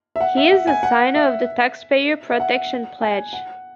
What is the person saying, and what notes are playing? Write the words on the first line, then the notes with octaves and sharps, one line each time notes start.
He is a signer of the Taxpayer Protection Pledge.
E5
F#5
E5
F#5
G#5
F#5
E5
E5
F#5
G#5
F#5